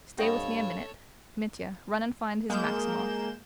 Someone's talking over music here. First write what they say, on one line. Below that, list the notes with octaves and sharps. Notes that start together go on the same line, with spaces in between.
"Stay with me a minute. Mitya, run and find his Maximov."
G2 C4 F#4 A4 C#5 D#5 F5 B5
G#3 A#3 G6 E7